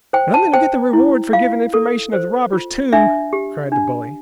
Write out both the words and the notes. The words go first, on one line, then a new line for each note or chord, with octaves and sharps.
"And I'm going to get the reward for giving information of the robbers, too!" cried the bully.
C5 G5
A5
C5 G5
E4
F4 F5
A4
C5
F4
D4 E5
G4
D4